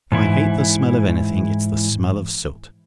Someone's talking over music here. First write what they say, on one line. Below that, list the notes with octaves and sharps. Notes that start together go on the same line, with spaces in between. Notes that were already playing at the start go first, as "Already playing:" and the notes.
If I hate the smell of anything, it's the smell of soot.
G#2 E3 E4